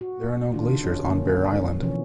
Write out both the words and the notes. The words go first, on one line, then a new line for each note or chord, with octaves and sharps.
There are no glaciers on Bear Island.
F#4
D#3 D4 F4
C#4
D3 A#3 C#4
B2 E3 F3 C#4